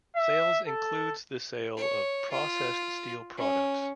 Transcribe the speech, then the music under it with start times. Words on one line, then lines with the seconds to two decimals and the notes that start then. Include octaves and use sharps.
Sales includes the sale of processed steel products.
0.16 E5
0.68 A4
1.77 C#5
2.32 F4
3.37 C#4